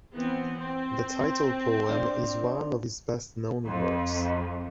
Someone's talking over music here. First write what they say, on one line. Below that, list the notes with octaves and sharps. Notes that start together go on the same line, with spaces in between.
The title poem is one of his best known works.
E3 B3 C4
C4
D4 F4 C5
F2